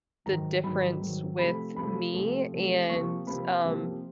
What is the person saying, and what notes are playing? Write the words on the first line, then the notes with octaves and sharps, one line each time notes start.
the difference with me and, um,
G#2 D#3 F#3 A#5
G#2 D#3 F#3 B5
G#2 D#3 F#3
C3 F3 A3 B5
C3 F3 A3 B5
C3 F3 A3
C3 F3 A3
C3 F3 A#3 C#6
C3 F3 A#3 B5
C3 F3 A#3